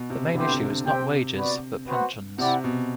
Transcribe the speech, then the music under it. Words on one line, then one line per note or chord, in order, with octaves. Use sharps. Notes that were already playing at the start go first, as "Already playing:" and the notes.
The main issue was not wages, but Pensions.
Already playing: B2
C3
D3 B3 E4 G4 C5
C3
D3
C3 C4 G4 C5 G5
B3 F#4 B4 D5
B3 F#4 C5 F#5
C3 E4 G4 D5 F#5
B2